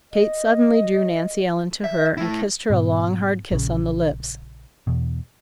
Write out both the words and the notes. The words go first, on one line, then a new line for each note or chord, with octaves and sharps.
Kate suddenly drew Nancy Ellen to her and kissed her a long, hard kiss on the lips.
D#5
E5
A3 E4
G#2 B2 B3
A#1 C#3
E2 B2